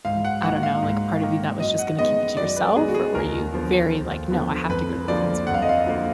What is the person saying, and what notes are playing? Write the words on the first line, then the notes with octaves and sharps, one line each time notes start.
m I don't know, like a part of you that was just gonna keep it to yourself or were you very like, “No, I have to go to the principal.”
G#2 F5
F#5
D#3 A#3 F#5
F5
G#2
D#3 A#3
F#2 D#5
F#5
D#3 G#3 B3 D#5
F#2 D5
B4
D#3 G#3 B3 G#4
F#4
G#4
D#2 A#4
D3 F3 B3
D#2
D3 F3 B3
F2 B4
D3 F3 A#3 D5
F2 F#5
F5
D#5
F5
D3 F3 A#3